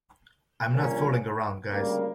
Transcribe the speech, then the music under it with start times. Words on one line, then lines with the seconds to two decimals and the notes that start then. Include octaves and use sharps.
I'm not fooling around guys.
0.72 A#1 A#2 G3 A#3 C#4
1.69 D2 C#3 G3 A#3